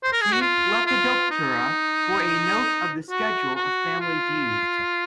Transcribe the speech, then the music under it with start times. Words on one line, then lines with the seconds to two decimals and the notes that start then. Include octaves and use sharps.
See Lepidoptera for a note of the schedule of families used.
0.03 C5
0.12 A#4
0.21 G#4
0.32 F#4
0.41 F4
0.86 F4
1.31 D#4
3.10 F#4
3.56 F#4
4.00 F4